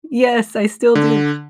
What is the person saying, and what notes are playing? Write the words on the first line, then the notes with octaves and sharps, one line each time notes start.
Yes, I still do,
D3